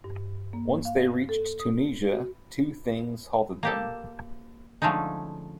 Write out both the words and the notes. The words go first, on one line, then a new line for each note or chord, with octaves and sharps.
Once they reached Tunisia two things halted them.
G2
A#3
F5
A4
D#6
F#4
A#3 G4 A4
D3 F3 G#3 A3 C#4 D#4